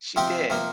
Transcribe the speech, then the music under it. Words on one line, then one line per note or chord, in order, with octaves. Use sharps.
She did.
C3 F3 C4 G4
C3 F3 A#3